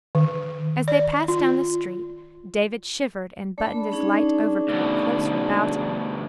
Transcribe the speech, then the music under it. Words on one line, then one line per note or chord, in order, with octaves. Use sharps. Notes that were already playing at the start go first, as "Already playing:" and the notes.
As they passed down the street, David shivered and buttoned his light overcoat closer about him.
D#3
D5
F4
A3 D4 B5
C#4 D#4 G#4
D2 B2